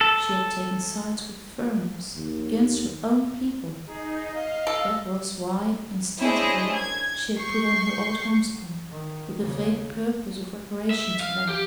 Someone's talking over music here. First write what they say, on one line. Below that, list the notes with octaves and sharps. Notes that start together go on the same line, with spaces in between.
She had taken sides with "furriners" against her own people. That was why, instinctively, she had put on her old homespun with a vague purpose of reparation to them.
A4
D#2
D#4 G#4
D#5 F5
A4
C#4 D4 E4 G#4 C5 D#5
G#6
C#6 G6 C7
D#3
D#2 C#3
E5
F5
G4